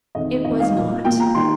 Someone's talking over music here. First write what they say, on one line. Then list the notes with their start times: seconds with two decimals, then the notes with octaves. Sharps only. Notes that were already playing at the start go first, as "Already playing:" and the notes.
'It was not.
0.15 F2 D#3 C4 D#5
0.45 F2 D#3 C4 D#5
0.60 F5
0.75 A#2 A#3 F4
1.04 A#2 A#3 F4 G5
1.20 A#5
1.35 D#3 G3 D#4 C6